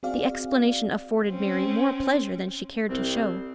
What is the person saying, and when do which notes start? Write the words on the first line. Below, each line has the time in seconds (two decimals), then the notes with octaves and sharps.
The explanation afforded Mary more pleasure than she cared to show.
0.03 C4 F#4 G#4 D5 F5
1.29 C4 C#4
2.89 C2 C4